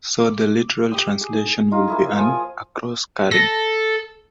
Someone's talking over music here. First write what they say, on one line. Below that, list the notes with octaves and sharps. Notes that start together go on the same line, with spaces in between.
So the literal translation would be an "across-carrying".
D6
G4 G5 D#6
G#4
D#4 F4
A#3 E4 G#4
F3 G#5 D#6
A4 A#6